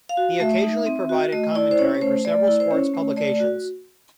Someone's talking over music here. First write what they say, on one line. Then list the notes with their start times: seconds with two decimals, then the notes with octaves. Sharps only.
He occasionally provided commentary for several sports publications.
0.09 F5
0.17 F#4
0.40 A3 E5
0.63 D#4
0.86 C4
1.09 F#4
1.32 A3 D#5
1.55 E4 D5
1.71 C5
1.79 C#4 C#5
1.95 C#5
2.01 A3 C5
2.25 A3 D5
2.48 E4
2.60 C5
2.71 C#4 C#5
2.94 A3
3.16 A3 D5
3.40 F#4